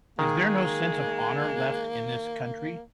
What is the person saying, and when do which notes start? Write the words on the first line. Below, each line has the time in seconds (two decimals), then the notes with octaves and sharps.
Is there no sense of honor left in this country?
0.19 D#3 G#3 A#3